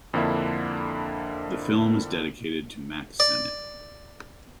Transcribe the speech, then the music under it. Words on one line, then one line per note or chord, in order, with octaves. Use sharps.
The film is dedicated to Mack Sennett.
F2 D3 A#3 D4 E4
D5